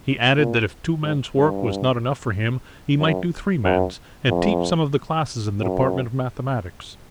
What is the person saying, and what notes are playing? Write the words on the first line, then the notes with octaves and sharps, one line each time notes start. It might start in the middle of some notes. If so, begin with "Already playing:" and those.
He added that if two men's work was not enough for him, he might do three men's, and teach some of the classes in the Department of Mathematics.
A#2
G#2
G2
F#2
F#2
F2
F#2